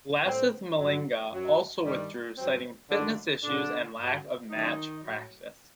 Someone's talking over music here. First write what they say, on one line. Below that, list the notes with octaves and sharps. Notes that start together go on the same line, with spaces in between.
Lasith Malinga also withdrew citing fitness issues and lack of match practice.
A2 G3 C4
G2 F#3
F#2 F#3
G2 D#3 G3
G2 F#3 C4
G2 D3 D#3 F#3 D4
A#2 D3 F#3 D4
G2 F#3
F#2 D3 D#3 F#3 D#4
A2 F#3